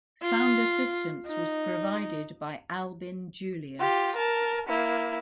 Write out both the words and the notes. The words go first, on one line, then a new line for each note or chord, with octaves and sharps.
Sound assistance was provided by Albin Julius.
F4
D#4
F4 G4
A#4 A5
A#3 E4